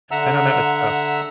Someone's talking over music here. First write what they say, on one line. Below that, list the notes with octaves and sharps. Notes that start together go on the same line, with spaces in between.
I don't know. It's tough.
D3 E5 F#5 A#5 E6